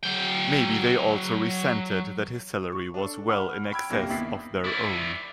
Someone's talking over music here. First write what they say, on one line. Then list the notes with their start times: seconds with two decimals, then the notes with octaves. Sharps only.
Maybe they also resented that his salary was well in excess of their own.
0.03 F#3 G5
2.72 C#6
2.94 D4 A4
3.29 F#5 B5 C#6 F6
3.72 G5 B5 E6 G#6 D7
3.89 G1 C2 C3 A#3 G4 A#6
4.09 D#2 B3 E4 A6 B6 C7
4.64 E4 D5